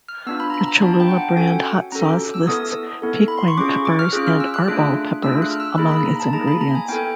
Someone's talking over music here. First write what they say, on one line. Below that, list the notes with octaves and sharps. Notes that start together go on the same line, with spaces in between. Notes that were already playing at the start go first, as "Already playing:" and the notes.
The Cholula brand hot sauce lists piquin peppers and arbol peppers among its ingredients.
F6
B3 D4 F4 E6
B5
A#5
B5
A#5
B3 D4 F4 A5
G5
F#5
G5
C#4 F#4 A4 G#5
C#4 F#4 A4 A#5
D6
E6
B3 E4 A4 D#6
B3 E4 A4
B5
C6
C#6
C#4 F4 G#4 D6
C#6
D6
F6
C#4 F4 G#4 F#6
F6
E6
F#6
A3 D4 F4 G#4 F#6
A3 D4 F4 G#4 E6
F#6
F6
E6
A#3 D#4 G#4 B5
B5
A#5
A5
A#3 D#4 G#4 A#5
B5
A#5
G#5
B3 E4 A4 G5